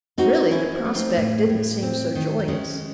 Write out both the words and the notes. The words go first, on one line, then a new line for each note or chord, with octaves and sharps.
Really the prospect didn't seem so joyous.
C4 D#4 F#4
C4 C#4 E4
A3
C4 D#4
A2
A2
C4
D#3
D#4
G#3 C#4